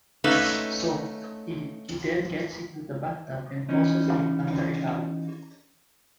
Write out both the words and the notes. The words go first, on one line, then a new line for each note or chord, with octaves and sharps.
Soaked, he then gets into the bathtub and falls asleep under a towel.
A3 A#3 C#4 D#4 B4 E5
E3 C#4 D#4